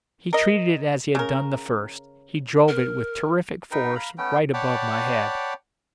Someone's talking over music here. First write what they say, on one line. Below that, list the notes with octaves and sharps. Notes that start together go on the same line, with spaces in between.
He treated it as he had done the first--he drove it, with terrific force, right above my head.
A#4 D#5
C#3 A#4
A#4
D#4 A#4 B4 G5
F5 A#5 B5
A3 B3 C#4 G5
C#5 D5 F#5 G5 A5 B5